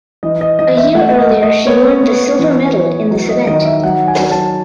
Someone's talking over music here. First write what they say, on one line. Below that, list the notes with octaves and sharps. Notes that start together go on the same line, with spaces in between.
A year earlier she won the silver medal in this event.
E3 D#5
D#5
E3 D#5
E5
A3 F#5
D#5
A3
D#5
B3 C#5
B3
E3
E3
F#3
D#5
D#3 D#5
E5
F#3 F#5
G#5
F#3
A5